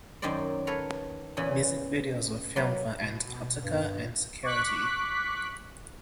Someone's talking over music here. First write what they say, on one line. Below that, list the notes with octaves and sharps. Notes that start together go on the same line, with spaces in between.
Music videos were filmed for "Antarctica" and "Security".
F#2 D#3 F#3 C5 D5
A4 B4 C#5 F5 A#5
E2 A#2 C#3 E3 G#5 B5
F#3 A#3 B4
B2
G2
B2
C#6 D6 F#6 B6